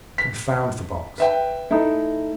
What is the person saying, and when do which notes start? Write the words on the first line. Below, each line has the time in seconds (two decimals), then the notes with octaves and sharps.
Confound the box!
0.18 B6
1.18 B4 E5 G5
1.71 A3 D#4 E4 A4